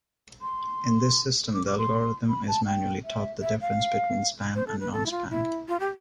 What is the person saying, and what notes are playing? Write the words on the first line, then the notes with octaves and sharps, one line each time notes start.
In this system, the algorithm is manually taught the differences between spam and non-spam.
C6
D6
D6
C6
B5
A5
G5
E5
E5
F5
C5
A4
B4
A4
E4
F4
E4
F4
G4